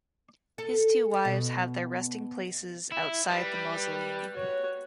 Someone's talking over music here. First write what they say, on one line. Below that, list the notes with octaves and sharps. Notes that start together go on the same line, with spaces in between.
His two wives have their resting places outside the mausoleum.
A4
B2
E4
G3 B4
F#4 C#5